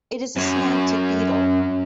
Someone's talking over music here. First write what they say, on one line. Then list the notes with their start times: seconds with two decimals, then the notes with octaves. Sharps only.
It is a snouted beetle.
0.37 F#2 C#5